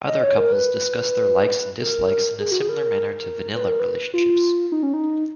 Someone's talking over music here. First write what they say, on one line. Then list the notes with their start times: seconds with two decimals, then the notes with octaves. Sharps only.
Other couples discuss their likes and dislikes in a similar manner to "Vanilla" relationships.
0.08 D#5
0.23 C#5
0.38 A#4
0.52 B4
1.82 A#4
2.40 G#4
2.51 F#4
2.60 G#4
2.69 A#4
3.56 B4
3.68 A#4
3.80 B4
4.14 F4
4.72 D#4
4.83 C#4
4.93 D#4